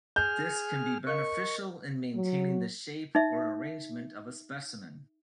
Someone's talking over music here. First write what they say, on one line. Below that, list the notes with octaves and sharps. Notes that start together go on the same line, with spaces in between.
This can be beneficial in maintaining the shape or arrangement of a specimen.
G#4 F6 G6 E7
A#4 D#5 C#6
F#3
D#4 E5